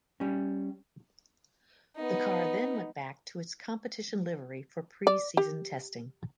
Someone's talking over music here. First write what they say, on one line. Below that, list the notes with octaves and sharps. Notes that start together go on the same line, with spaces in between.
The car then went back to its competition livery for pre season testing.
G3 C#4
B3 D#4
D5
G4